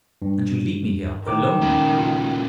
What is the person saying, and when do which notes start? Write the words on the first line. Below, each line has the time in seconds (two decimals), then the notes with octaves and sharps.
"And you leave me here, alone!"
0.22 G2
1.27 D#3 A#4 D6
1.61 A#2 C#3
1.98 F4